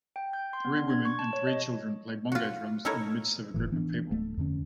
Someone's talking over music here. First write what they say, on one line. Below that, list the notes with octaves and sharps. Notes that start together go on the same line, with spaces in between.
Three women and three children play bongo drums in the midst of a group of people.
G5
G6
C6
B3
D4
G#6
C#6
A5
C#5
D#5
F4 F#4
D#4 E4 A4 A#4 C#5
F#1 A2 E3
E3 B3 D4
D1 A3
F2 D3 C#4